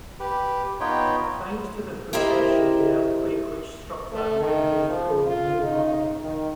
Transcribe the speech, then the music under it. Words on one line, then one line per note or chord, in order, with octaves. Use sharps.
Thanks to the procession, the earthquake which struck that very day caused no harm.
G4 B4
B3 D#4 F4 B4 C#5 G5
E4 G4 A#4 C5 D#5 E5
A3
D#3
F3
F4
D#4
D#3